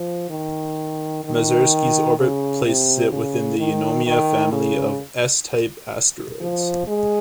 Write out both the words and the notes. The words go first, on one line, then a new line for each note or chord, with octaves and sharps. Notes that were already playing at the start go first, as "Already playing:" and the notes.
Masursky's orbit places it within the Eunomia family of S-type asteroids.
Already playing: F3
D#3
D#3
C#3
C3
C#3
D#3
D#3
C#3
F3
G#3